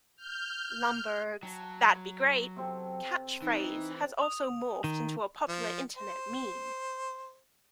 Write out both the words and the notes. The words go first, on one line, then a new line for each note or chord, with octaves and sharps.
Lumbergh's "that'd be great" catchphrase has also morphed into a popular internet meme.
F6 G6
F#3 A5
C3 C4 A4
E3 D#4
D#6 F7
D#3 A#5
F3
C5